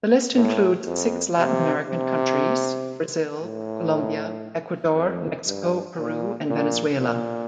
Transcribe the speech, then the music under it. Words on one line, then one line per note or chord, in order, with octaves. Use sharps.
The list includes six Latin American countries: Brazil, Colombia, Ecuador, Mexico, Peru and Venezuela.
A2
F2
C3
C3
A2
F2
G2
A#2
A#2
A#2